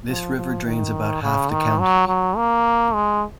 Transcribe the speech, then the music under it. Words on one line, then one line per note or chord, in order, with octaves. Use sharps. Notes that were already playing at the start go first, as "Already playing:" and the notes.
This river drains about half the county.
F3
F3
D#3
C#3
D#3
F#3
F#3
A#3
G#3